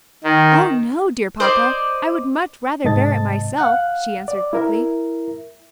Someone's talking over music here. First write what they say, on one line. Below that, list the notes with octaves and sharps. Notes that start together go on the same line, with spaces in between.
"Oh, no, dear papa, I would much rather bear it myself," she answered quickly.
D#3
C5 D5 D#5 C6
G#2 C3 D#5 A5 A6
F5 F#5 F#6
D5
E4 A#4 E5